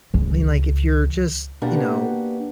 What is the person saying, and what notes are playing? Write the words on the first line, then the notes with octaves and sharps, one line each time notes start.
I mean, like, if you're just, you know,
C#2 E3
B2 A#3 D4 G4 B4 F#5